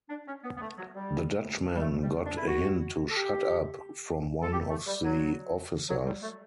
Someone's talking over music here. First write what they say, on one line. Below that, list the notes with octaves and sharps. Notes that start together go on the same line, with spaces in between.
The Dutchman got a hint to ‘shut up’ from one of the officers.
D4
C#4
B3
B3
A3
F#3
G3
G3
A3
G3
D4
E4
F#4
A4
G4
A4
G4
A3
G3
F#3
F#3
G3
A3